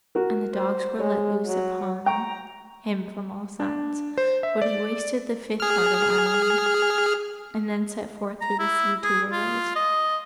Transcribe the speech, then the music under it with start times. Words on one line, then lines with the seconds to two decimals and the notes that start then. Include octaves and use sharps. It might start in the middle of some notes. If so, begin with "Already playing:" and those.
And the dogs were let loose upon him from all sides. But he wasted the fifth part of Ireland, and then set forth through the sea to Wales.
0.15 F#4 A#4
0.54 C5
0.99 G#3 C#5
1.46 F#3
2.06 G5 A#5 C#6
3.60 D4
4.18 C5
4.43 E5
4.62 D5
5.60 G#4 F6
8.41 A#5
8.59 E4
9.03 G#4
9.32 F4
9.76 D#5